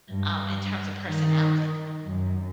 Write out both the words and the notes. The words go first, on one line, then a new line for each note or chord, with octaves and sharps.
um, in terms of personality.
G2
D#3
F#2